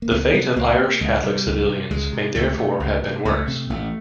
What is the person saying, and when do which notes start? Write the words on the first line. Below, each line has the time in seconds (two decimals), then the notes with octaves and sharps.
The fate of Irish Catholic civilians may therefore have been worse.
0.02 A#3
0.11 C#2 B3
0.33 C3 B3
0.56 C#2 A#3
0.78 C3
1.01 C#2 G#3
1.23 C3 G3
1.46 C#2
1.68 C3
1.90 C#2 G#3
2.13 C3
2.35 C#2 A3
2.58 C3
2.80 C#2
3.03 C3
3.25 C#2 A3
3.47 C3
3.70 A1 A3